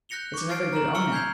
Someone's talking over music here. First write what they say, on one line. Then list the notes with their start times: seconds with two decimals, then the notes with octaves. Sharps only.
It's another good omen.
0.09 F#6 G6 A#6 C#7 F7 G7
0.34 C#6 D6
0.49 D6 F6 A6 C7 D7
0.73 A#5 F6 E7 F#7
0.95 A#5 C#6 E6 F6 C#7 G7
1.12 G#5 G6 G#6 C7 F7